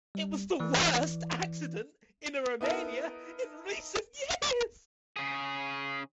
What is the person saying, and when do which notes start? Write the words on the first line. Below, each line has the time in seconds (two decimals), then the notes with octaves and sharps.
It was the worst accident in Romania in recent years.
0.15 G3
0.60 E3 D5
2.61 B3 D#4 E4 A4 A#4
5.16 C#3 G#4